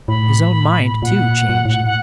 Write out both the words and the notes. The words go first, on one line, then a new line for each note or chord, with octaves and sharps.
His own mind, too, changed.
A2 B5
A#2 F#5
A#2
A2
F#5